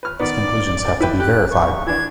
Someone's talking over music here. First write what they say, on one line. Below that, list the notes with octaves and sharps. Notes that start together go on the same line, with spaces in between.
These conclusions have to be verified.
B4 F6
D#3 B3 D5
E4 B4 G5
G4 F#6
C#6
E3 D4 G#6